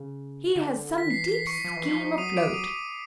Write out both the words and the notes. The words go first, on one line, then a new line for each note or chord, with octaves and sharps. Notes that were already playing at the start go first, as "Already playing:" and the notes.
He has some deep scheme afloat.
Already playing: C#3
D3
D#3 B6
E3 C7
B6
C#6 C#7
F3
E3
F3
F#3 D#6 D#7
D6 D7
D#6 D#7